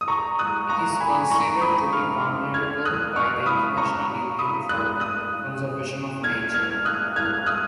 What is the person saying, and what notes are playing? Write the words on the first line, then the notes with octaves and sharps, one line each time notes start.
It is considered to be vulnerable by the International Union for Conservation of Nature.
D#6
A#5 C#6
D#6 F#6
A#5 C#6
G#5 B5
A#5 C#6
B5 D#6
C#6 F6
F6 G#6
D#6 F#6
C#6 F6
B5 D#6
A#5 C#6
B5 D#6
D#6 F#6
D#6 F#6
F6 G#6
F6 G#6
D#6 F#6
F6 G#6
D#6 F#6